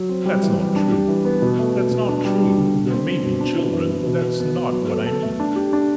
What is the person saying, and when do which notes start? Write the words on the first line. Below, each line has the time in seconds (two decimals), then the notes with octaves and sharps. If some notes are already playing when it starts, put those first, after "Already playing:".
"That's not true, that's not true; there may be children, but that's not what I mean."
Already playing: F#3
0.09 C4
0.25 G3
0.43 E3
0.59 G3
0.76 D4
0.92 G4
1.08 E3
1.25 B3
1.42 B2
1.59 A3
1.75 B2
1.91 B2
2.09 D4
2.25 G3
2.41 D4
2.58 D3
2.74 B2
2.90 C4
3.07 C4
3.24 B2
3.41 D4
3.57 E3
3.73 E3
3.90 E3
4.07 B2
4.23 B3
4.40 B3
4.56 B3
4.72 F#3
4.89 A4
5.06 A4
5.23 A3
5.40 D4
5.56 G4
5.73 D4